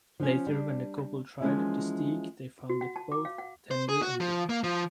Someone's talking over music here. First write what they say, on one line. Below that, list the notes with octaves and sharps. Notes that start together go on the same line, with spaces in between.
Later when the couple tried the steak they found it both tender and good.
F3 C#4
G3 D4
E3 F3 G#3 A#3 C#4 E4
F#4
F#5
A5
D6
F5
F#5
C5
G#4
F#4
F3
A#3
F3